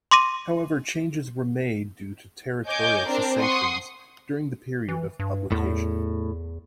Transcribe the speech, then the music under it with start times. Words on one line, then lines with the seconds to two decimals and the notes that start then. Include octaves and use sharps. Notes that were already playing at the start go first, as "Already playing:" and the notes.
However, changes were made due to territorial cessations during the period of publication.
0.11 C6 D6 A#6 D#7
2.67 C#5 D#5 G#5 D6 G6
3.07 C4 D4 A#4 C5 D5
3.40 F#5 C6 C#6 D#6
4.88 E3
5.20 G2
5.52 E2 A2